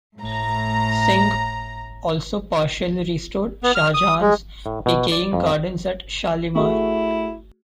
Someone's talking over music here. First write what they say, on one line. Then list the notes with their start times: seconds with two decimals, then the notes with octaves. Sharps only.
Singh also partially restored Shah Jahan's decaying gardens at Shalimar.
0.17 A2 A#5
3.63 B3
3.75 F6
3.94 D#6
4.21 G#3
4.66 A2
4.86 B2
5.12 D5
5.33 F2
6.55 A3 E4 F#4 G#4